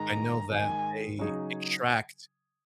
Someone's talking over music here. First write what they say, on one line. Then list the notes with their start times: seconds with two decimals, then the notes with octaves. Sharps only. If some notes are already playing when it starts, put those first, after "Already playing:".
I know that they extract,
Already playing: G#2 D#3 G#3 A#5
0.51 G#2 D#3 G#3 G#5
1.19 C#3 F#3 D#4 G#4